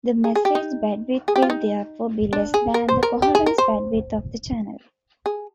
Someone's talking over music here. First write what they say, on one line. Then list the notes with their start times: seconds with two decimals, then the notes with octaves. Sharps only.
The message bandwidth will therefore be less than the coherence bandwidth of the channel.
0.24 G#4
0.35 G#4
0.45 G4
0.55 D#4
1.28 G#4
1.36 G4
1.42 F4
1.50 D#4
2.33 D4
2.54 G#4
2.74 A#4
2.89 C5
3.03 A#4
3.22 G4
3.35 G#4
3.46 A#4
3.58 C5
5.26 G#4